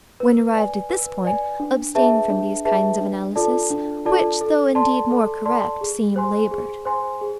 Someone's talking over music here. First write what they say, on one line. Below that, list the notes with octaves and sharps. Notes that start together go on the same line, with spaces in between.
When arrived at this point, abstain from these kinds of analysis, which though indeed more correct, seem labored.
B4
D5 G#5
B4
D5 G#5
D4
G#4 B4 E5 A5
D4
G#4 B4 E5 A5
D4
F4 A4 D5 A5
D4
F4 A4 D5 A5
A4
D5 A5 C6
A4
D5 A5 C6
G#4
C5 G#5 C6
G#4
C5 G#5 C6
G#4